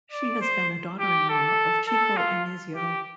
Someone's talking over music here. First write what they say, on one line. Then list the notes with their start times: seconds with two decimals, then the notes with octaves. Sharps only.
She has been a daughter-in-law of Chico Anysio.
0.12 D5
0.41 C5
0.99 G4
1.29 A4
1.88 A4
2.17 F4
2.76 G4